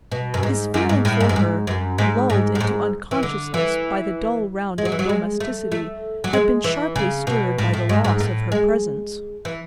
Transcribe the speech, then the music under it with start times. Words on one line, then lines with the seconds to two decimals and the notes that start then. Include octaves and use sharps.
His feeling for her, lulled into unconsciousness by the dull round of domesticity, had been sharply stirred by the loss of her presence.
0.12 B2
0.34 F#2
0.43 G#2
0.74 F#2
0.89 G#2
1.05 A2
1.20 G#2
1.29 F#2
1.36 G#2
1.67 F#2
1.98 G#2
2.30 G#2
2.55 A2
2.60 G#2
3.11 E3
3.23 D3
3.54 E3
4.78 G#3
4.85 F#3
4.92 E3
4.99 F#3
5.09 G#3
5.40 A3
5.72 A3
6.24 F#3
6.33 G#3
6.64 E3
6.96 C#3
7.27 B2
7.58 A2
7.74 A2
7.89 G#2
8.04 G#2
8.20 A2
8.52 G#3
9.45 E3